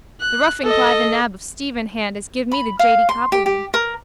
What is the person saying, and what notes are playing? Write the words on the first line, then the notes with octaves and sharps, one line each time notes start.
The ruffin cly the nab of Stephen Hand as give me the jady coppaleen.
F#6
A4 D#5
B5
F5
C6
G4
G4
A#4